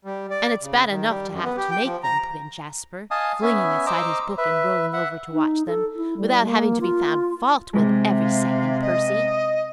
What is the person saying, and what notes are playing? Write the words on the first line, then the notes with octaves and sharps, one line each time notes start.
"And it's bad enough to have to make them," put in Jasper, flinging aside his book and rolling over to watch them, "without having to be found fault with every second, Percy."
G3
D5
C#3
D#3
G3
F#2
B3
G4
G5
F3
A#5
D#5 F5 G#5 A5 D#6
B3 C#4 E5 G#5
C5 D#5 A#5 D6 E6
B4 E5
E5 F#5
D#4
A4
E4
G3
A#3
F4
C3 G#3
F5
D#5